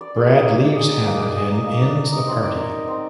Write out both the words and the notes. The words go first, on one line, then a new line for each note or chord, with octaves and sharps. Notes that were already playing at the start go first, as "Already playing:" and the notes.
Brad leaves Hannah and ends the party.
D5
G#4
D#4
A#3
D5
G#4
D#4
A#3
D5
G#4
D#4
A#3
D5
A#4
D#4
C4
D5
A#4
D#4
C4